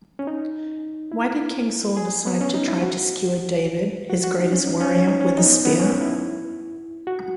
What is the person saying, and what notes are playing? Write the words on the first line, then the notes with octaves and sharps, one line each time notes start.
Why did King Saul decide try to skewer David-his greatest warrior-with a spear?
C#4
D#4
E4
G#4
B3
C#4
D#4
E4
F#4
F#4
F#4
D#4
C#4
D#4
C#4
C#4
D#4
C#4
D#4
B3
C#4
B3
C#4
E4
F#4